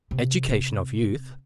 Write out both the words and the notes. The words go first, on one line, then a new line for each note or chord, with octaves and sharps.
Education of Youth.
C3